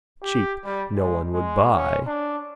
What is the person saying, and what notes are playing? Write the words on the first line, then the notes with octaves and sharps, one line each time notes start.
Cheap no-one would buy.
G4
G3
G#3
G#3
C#4
D4